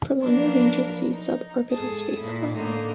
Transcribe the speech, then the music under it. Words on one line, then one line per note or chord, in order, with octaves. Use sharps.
For longer ranges see sub-orbital spaceflight.
F3 F#3 A#3 D4 A#4 B4
D#4
G#2 G#4 A4 A5 D#6
A#2 E4
A2 D3 A#3 D#4